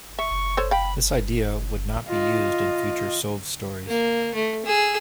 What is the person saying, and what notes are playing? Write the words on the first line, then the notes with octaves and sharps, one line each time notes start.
This idea would not be used in future Sov stories.
E5 C#6
A4 C5 C#5
F5 G5 B5
F4 D#5
A#3
A3
G#4 E6